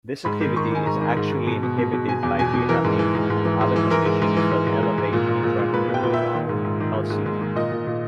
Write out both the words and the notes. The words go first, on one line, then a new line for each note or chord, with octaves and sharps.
This activity is actually inhibited by glutamate and other conditions that elevate intraneuronal calcium.
G#2 B5
D#3
D#3 C#6
D#3 G#5
G#2 A#5
D#3
G#2
G#2
B2
B2
B2
B2
B2 G#5
E2
B2 G#5
B2
E3 A#4
G#2
E3
G#2
G#2
E3
G#2
E3
E3 A#4
G#2
G#2
E3
G#2
G#2
G#2
G#2
A#2
A#2
A#2
A#2
A#2 B4
A#2
G5
A#2
E5
A#2
D#3
G#2
G#2
D#3
G#2
G#2
G#2
D#3
A#2 D#5
A#2
A#2